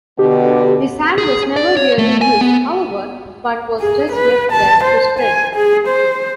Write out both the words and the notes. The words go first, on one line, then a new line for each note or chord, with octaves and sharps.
The sand was never really used, however, but was just left there to spread.
B2 D3 G4
G#4
D5
C#5
A3
G#5
B3
G#4
B4
A5
C5
G#5
G#4
C5